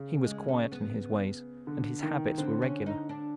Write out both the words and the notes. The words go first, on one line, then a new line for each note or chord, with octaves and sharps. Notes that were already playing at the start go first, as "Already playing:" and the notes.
He was quiet in his ways, and his habits were regular.
Already playing: C#3
G#3
C#4
B3
D3
D#3
D3 C4
C#4
D#4
D4